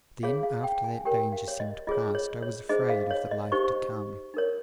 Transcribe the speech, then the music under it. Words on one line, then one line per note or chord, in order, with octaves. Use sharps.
Then after that danger seemed past, I was afraid of the life to come.
F4 G#4 C#5 F5
F5
G5
G#5
G4 A#4 C#5 G5
F5
C#5
D#5
F4 G#4 C#5 D#5
C#5
C#5
D#4 G#4 C5 D#5
F5
C#5
D#5
D#4 G4 C5 C#6
D#4 A#4 C#5